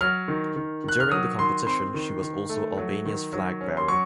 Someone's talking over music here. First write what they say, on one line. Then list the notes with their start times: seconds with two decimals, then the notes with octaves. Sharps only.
During the competition she was also Albania's flag bearer.
0.01 F#3 F6
0.28 D#3
0.56 D#3
0.84 D#3 F#6
1.00 F6
1.11 F#3 D#6
1.39 D#3 C6
1.66 C4 C6
1.94 D#3
2.22 D#3
2.49 A3
2.77 F#3
3.05 D#3
3.33 F#3
3.61 C#4
3.77 C6
3.88 F#3 C#6